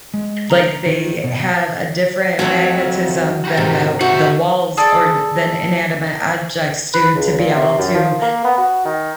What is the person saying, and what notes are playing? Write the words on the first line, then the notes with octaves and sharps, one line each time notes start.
Like they have a different magnetism than the the walls or than inanimate objects do to be able to
G#3
A#5
D#3
B2
F2 F#3 A3 C#5 E5
F#4 G4 A#4
G#2 C3
F#4 C5 E5 F#5
G#4 A4 D5
B4
C#2
A#2
C3
F#2
F3
A#3
B3
F#4
D#3